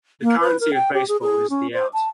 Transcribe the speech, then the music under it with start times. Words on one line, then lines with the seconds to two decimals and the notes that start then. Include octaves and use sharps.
The currency of baseball is the out.
0.22 A#3
0.40 B4
0.60 A#4
0.74 G5
0.93 G4
1.08 G#4
1.22 G#4
1.50 C#4
1.73 C5
1.93 A5